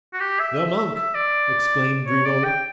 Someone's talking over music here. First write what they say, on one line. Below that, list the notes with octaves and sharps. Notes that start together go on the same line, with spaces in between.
"The monk!" exclaimed Grimaud.
F#4
G4
E5
E5
E5
E5
D5
C#5
D5
G5